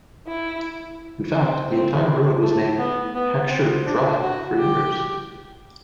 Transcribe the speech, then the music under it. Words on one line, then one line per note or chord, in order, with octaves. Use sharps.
In fact, the entire road was named Heckscher Drive for years.
E4
C4
C4
C4
A3
B3
B3
C4
D4
F#4
G4